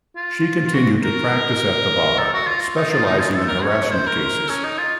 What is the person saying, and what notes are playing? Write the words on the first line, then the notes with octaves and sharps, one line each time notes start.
She continued to practice at the Bar, specialising in harassment cases.
F4
F4
F#4
A#4
A4
F#4
F4
F4
D#4
F4
D#4
F4
A4
A#4
C#5
C5
A#4
C#4
D#4
F4